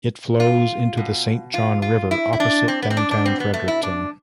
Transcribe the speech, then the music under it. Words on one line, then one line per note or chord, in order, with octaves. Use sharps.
It flows into the Saint John River opposite downtown Fredericton.
F4
B2
F4
F4
E4
E4
D4
C4
B3
C4
D4
D4
B2 C4
B3
A3
E4
D4